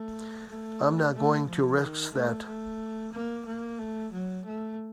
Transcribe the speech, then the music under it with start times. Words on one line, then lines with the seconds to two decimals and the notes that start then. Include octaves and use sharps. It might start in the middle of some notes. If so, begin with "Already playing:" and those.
I'm not going to risk that!
Already playing: A3
0.47 A3
1.14 A3
1.47 F3
1.80 D#3
2.13 A3
2.46 A3
3.13 A#3
3.45 A#3
3.79 A3
4.12 F#3
4.45 A3